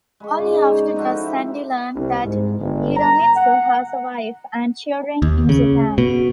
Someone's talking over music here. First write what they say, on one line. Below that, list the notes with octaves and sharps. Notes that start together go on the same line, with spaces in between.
Only after does Sandy learn that Hiromitsu has a wife and children in Japan.
G#3 B5 C#6
G#2 C#3 D5 G#5
C5 C#5 D#5 A#5
F3 D#4 F#4 A4
F3 E4
G4
C2
G#2
G1
A#5
F#5
D#2
C#3
B2